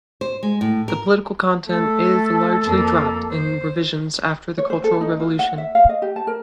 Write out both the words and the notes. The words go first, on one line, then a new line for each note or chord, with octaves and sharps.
The political content is largely dropped in revisions after the Cultural Revolution.
C5
G#3
A2
A#4
A3 A4
F2 A#3
C5
C#5
C5
A4
D#4
F4
F#5
E5
F5
D#5
G4
A5
A#4